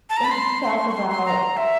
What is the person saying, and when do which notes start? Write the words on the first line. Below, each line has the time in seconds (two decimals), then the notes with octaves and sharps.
let's talk about
0.10 A5
0.17 A#5
0.24 B5
0.31 C6
0.63 C6
0.70 C#6
0.77 C6
0.89 C#6
0.94 C6
1.09 C6
1.26 A#5
1.57 E5